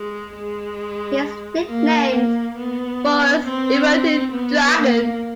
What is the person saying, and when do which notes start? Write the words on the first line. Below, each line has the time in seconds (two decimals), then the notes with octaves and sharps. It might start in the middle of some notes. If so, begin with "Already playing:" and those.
He is nicknamed "Forest Emerging Dragon".
Already playing: G#3
0.36 G#3
1.68 A#3
2.12 A#3
2.57 B3
3.44 C4
4.32 B3
4.76 A#3